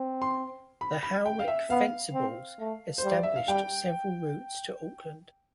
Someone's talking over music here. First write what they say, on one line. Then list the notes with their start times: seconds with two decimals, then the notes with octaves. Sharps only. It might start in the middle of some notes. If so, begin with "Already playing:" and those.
The Howick Fencibles established several routes to Auckland.
Already playing: C4
0.22 C6
0.81 B5
1.03 B5
1.26 G5
1.39 F5
1.48 E5
1.70 B3 F5
2.14 C4
2.59 A3
2.98 C5
3.03 G3
3.11 D5
3.23 E5
3.36 F5
3.48 G3 G5